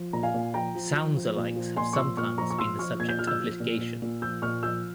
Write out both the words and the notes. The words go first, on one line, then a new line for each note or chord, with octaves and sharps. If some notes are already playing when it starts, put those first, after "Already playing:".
Sounds-alikes have sometimes been the subject of litigation.
Already playing: F3
A#2 A#5
F5 G#5
A#2
F3 G5 A#5
F3
F3
F3
A#2
F3
A#2 G#5 C6
C#6
F3 C6 E6
A#2 C#6 F6
F3 A#5 C#6
C#6
F3 C6 E6
F3 C#6 F6
A#2 G#6
G6
F3 F6
E6 G6
F3
A#2
A#2
A#2
F3 E6 G6
A#2 C#6 F6
F3 E6 G6